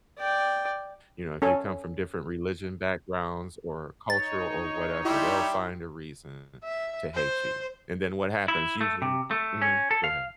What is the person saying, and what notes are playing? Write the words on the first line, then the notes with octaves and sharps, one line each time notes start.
You know, if you come from different religion backgrounds or cultural or whatever, they'll find a reason to hate you, and then what happens usually Mhm. Go ahead.
D5 G5
C#4 A4 G#5
D#4 C#5 A6
G3 E4 G4 E5 C6
E5
C5
E4
A3
C3
A3
C#4
A4
F5